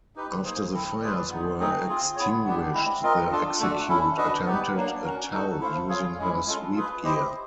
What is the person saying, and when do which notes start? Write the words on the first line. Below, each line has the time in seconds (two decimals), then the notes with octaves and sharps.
After the fires were extinguished the "Execute" attempted a tow using her sweep gear.
0.16 D#4 G4 B4
0.45 A#3 D#4 G#4 C5
0.73 C4 E4 A4
1.01 F4 G#4 B4 D5
1.31 B3 D#4 G#4
1.59 A3 C4 D#4 G#4
1.88 C4 F4 G#4
2.16 B3 E4 G#4 C#5
2.45 B3 D4 G4
2.74 G#3 C4 E4
3.02 C4 F4 A#4 D#5
3.31 D4 F4 A4
3.60 A3 D4 F#4 A4
3.89 C#4 E4 A4
4.17 D4 F#4 B4 D#5
4.45 B3 D#4 G4 B4
4.74 F#3 A#3 D4
5.03 C#4 F#4 A#4
5.32 D#4 F#4 A4
5.61 E4 A4 C5 F5
5.89 F4 G#4 C#5 F5
6.18 G#3 C#4 E4
6.47 G#3 C#4 F4 A4
6.75 F4 G#4 B4
7.04 E4 G4 C5 D#5